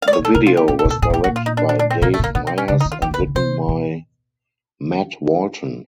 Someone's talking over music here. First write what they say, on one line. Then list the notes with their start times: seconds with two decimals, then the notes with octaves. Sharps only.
The video was directed by Dave Meyers and written by Matt Walton.
0.02 F5
0.08 D5
0.13 C#5
0.19 B2
0.25 A4
0.35 C3 A#4
0.47 F4
0.57 G4
0.68 A#2 G4
0.79 A4
0.85 B2
0.91 A4
1.02 A2 G#4
1.10 A#2
1.14 G4
1.18 B2
1.24 F#4
1.26 A#2
1.36 F4
1.46 D#4
1.57 D4
1.69 D4
1.79 D4
1.90 C4
2.02 B2 A#3
2.14 A3
2.19 B2
2.24 A#3
2.27 A#2
2.35 B2 B3
2.47 C4
2.58 C#4
2.68 C#3 D4
2.80 D#4
2.86 D#3
2.92 F4
3.02 E3 G4
3.11 D#3
3.14 B4
3.19 D3
3.27 C#3
3.35 C3 C5
3.68 B2